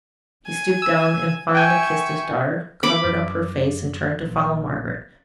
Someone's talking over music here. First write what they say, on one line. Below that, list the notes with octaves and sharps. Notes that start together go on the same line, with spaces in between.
He stooped down and fondly kissed his daughter; covered up her face, and turned to follow Margaret.
G#5
E6
E5 G5 G#5 C#6
B5 D6
F#2
A#1 F3